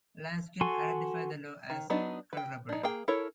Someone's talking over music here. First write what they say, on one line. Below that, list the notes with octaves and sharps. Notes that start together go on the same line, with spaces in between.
Laskin identified the law as colourable.
F#4 A4 G#5 C6 C#6
D#3
F#3 B3 D4 D#4
B4 G5
D4 D#4
A#3 G#4 G5
E4 A4 A#4 C#5